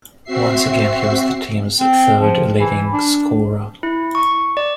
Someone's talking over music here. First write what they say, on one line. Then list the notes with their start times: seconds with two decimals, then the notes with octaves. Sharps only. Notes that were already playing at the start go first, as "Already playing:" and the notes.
Once again, he was the team's third-leading scorer.
0.24 C4 F#4 E5 C7
1.80 C4
2.20 F3
2.60 E3
2.93 D4
3.83 E4
4.15 C#6
4.57 D5